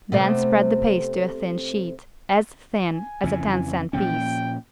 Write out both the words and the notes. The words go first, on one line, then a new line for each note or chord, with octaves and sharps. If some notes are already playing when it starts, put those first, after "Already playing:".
Then spread the paste to a thin sheet, as thin as a ten-cent piece.
C3 A3 B3
G#5
F2 C#3 E3
A#2 F3 C#4 G5